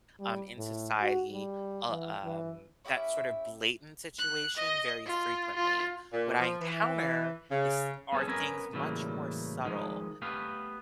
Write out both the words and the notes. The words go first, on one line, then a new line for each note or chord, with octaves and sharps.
um, in society, uh, um, that sort of blatant situation very frequently. What I encounter is are things much more subtle,
G3
A2
F#4
G3
E3
E3
C#4 E4 G4 E5
F#6
D#5
F4
F4
A#2
F3
E3
C#3
B3 C#4 G#4 A4
B3 C#4 A#4 G#5
A2 C#3 E3 F#3 G3 A#3
D#3 F3 G#3 D#4
A3 B3 G4 F5